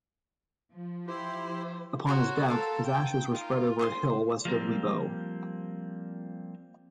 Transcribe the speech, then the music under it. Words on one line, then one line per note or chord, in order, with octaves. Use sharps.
Upon his death, his ashes were spread over a hill west of Wibaux.
F3
E4 G4 C5
F#4 A#4 C5 C#5
A4 A#4 C5 F5
G5
D#4 F4 A#4
D#4 C5 C6
F3 G3 A#3 C4